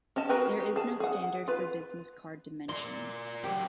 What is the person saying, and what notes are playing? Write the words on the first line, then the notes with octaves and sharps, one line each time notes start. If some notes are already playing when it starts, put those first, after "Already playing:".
There is no standard for the business card dimensions.
C#4 D#5 A5
F#4 G#4 A#4 B4 G5
G4
G#4 A5
G#4 F#5
F4 B4
A#4 D5 C6
C3 F#3 G4